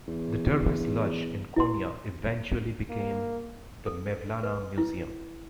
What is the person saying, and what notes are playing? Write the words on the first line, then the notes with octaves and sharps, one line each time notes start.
The Dervish lodge in Konya eventually became the Mevlana Museum.
E2
E4 C6
A#3
A4
B4
E4